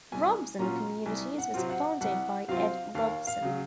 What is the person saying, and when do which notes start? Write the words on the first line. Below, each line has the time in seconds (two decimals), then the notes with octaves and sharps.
Robson Communities was founded by Ed Robson.
0.12 C2 G#5
0.59 A#2 F#3 C#4 F4 A#5
1.06 C2 G#5
1.38 F#5
1.54 C3 F#3 C4 F4
1.70 F#5
2.01 C2 F#5
2.48 C3 F#3 C4 F4 F5
2.95 D#2 F5
3.27 F5
3.42 C#3 F#3